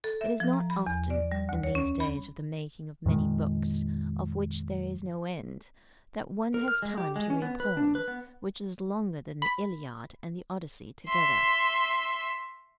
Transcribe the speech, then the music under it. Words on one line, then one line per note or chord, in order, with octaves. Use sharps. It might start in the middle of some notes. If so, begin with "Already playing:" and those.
It is not often, in these days of the making of many books of which there is no end, that one has time to read a poem which is longer than the 'Iliad' and the 'Odyssey' together.
A4
E5
F3
A#5
B5
E2
D5
G3
D2
C#5
C#4
B5
F2 A#2 D#3 G#3
A#4
F6
G#3
G4
G#3
C#4
B3
B4
D4
B4
B3
B5
E5 C6